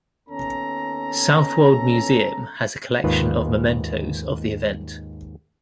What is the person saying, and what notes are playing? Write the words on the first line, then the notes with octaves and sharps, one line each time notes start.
Southwold Museum has a collection of mementos of the event.
D#2 B3 C#4 A4 A#5
D#2 G#2 D#3 F4 B4